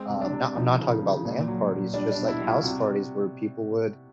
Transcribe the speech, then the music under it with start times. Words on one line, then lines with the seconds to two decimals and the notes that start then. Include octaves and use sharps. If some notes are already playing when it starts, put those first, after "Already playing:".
Um, nah, I'm not talking about land parties, just, like, house parties, where people would
Already playing: G#3 C4
0.10 C3
0.21 D4
0.32 C3
0.55 F3 D#4
0.79 C#3
1.02 C#3
1.25 A#2
1.48 F#3
1.71 A#2
1.94 G3 D4
2.11 D4
2.17 B2
2.28 E4
2.40 G3
2.46 F4
2.63 C3 F#4